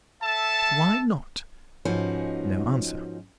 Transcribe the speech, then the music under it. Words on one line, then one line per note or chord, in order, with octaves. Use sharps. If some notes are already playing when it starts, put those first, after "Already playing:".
"Why not?" No answer.
A4 E5 A5
G#2 F3 C#4 D#4 F#4 B4